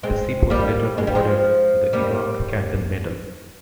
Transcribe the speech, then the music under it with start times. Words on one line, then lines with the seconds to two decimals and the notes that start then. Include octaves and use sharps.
The ship was later awarded the Iraq Campaign Medal.
0.03 G#3 C4
0.50 G3 A#3
0.98 G#3
1.07 G3
1.15 F3 G#3
1.93 G3 A#3